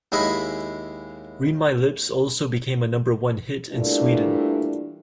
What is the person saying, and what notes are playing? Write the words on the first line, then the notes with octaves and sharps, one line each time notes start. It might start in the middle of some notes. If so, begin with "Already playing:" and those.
"Read My Lips" also became a Number One hit in Sweden.
D#2 G#3 E4 G#4 D#5 B5
A#2 E3 G3 A3 D4